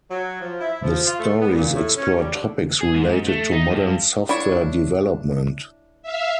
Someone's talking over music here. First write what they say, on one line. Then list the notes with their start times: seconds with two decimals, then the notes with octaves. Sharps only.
The stories explore topics related to modern software development.
0.10 F#3
0.40 F3
0.60 E4
0.82 F3
1.06 F4
1.19 A3
1.40 B3
1.54 A#2
1.75 A2
1.96 C#4
2.16 G3
2.34 D3
2.81 G#4
2.95 G#2
3.28 A3
3.52 D#4
3.70 G2
4.29 D4 E4 C#5
6.02 E5 F5